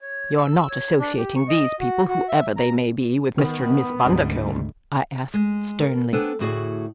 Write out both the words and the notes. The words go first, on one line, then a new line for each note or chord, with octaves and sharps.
"You're not associating these people, whoever they may be, with Mr. and Miss Bundercombe?" I asked sternly.
C#5
E6
C#5
D4
G4
C#6
D#5
F#4
F#4
E5
A#5
D#3 B3
D2 G#2 G3 C4
G#3
A#4
B3 D4 A4 C5 G5 G#5
D2 A2 F#4 G#4 D5